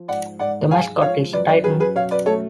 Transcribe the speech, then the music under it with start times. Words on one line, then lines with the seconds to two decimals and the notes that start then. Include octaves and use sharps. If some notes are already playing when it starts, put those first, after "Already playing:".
The mascot is a Titan.
Already playing: F3
0.08 G#2 D5 F#5
0.39 G#2 D5 F#5
0.71 G#3 F5 G#5
1.02 F3 C#5 F5
1.33 F#2 B4 D5
1.48 B4 D5
1.64 F#2 G#4 B4
1.80 G#4 B4
1.96 B2 C#5 F5
2.11 B4 D5
2.26 A3 A4 C#5